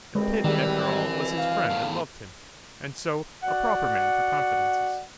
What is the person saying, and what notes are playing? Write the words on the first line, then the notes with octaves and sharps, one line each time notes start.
And Pitt, after all, was his friend and loved him, and, so, a proper man for confidences.
C2 B2 G#3 C4 B4
D#3 E3 G3 G#4
F5
E2 A2
F#4 D5 F#5